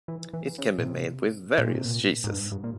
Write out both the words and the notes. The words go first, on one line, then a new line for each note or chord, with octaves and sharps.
It can be made with various cheeses.
E3
E3
C#3
A#2
C3
A#2
C3
A#2
G#2
G2
G2
A#2